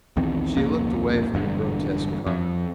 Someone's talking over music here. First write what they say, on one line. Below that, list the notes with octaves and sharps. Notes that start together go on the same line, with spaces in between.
She looked away from the grotesque car.
B1 E2 D#3 C4
D#1 C2 F2 A#3
E1 G2 B2 D3
F2